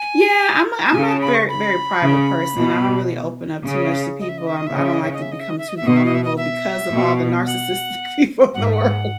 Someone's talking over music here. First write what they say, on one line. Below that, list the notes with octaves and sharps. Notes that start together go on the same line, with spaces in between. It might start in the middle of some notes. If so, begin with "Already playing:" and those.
Yeah, I'm a I'm a very very private person, I don't really open up too much to people, um, I don't like to become too vulnerable because of all the narcissistic people in the world,
Already playing: G#5
A5
C#3 G#5
A5
B5
C#6
B5
C#3
B2
C#3
D#5
E5
D#5
E5
D#5
E5
C#3 D#5
E5
D#5
E5
D#5
E5
D#5
E5
D#5
E5
D#5
E5
B2 D#5
E5
D#5
E5
D#5
E5
B2
F#5
G#2 F#5
E5
F#5